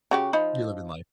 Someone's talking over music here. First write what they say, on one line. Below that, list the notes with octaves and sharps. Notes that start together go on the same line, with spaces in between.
You're living life.
C#3 F#4 G4
F3 D#4 B5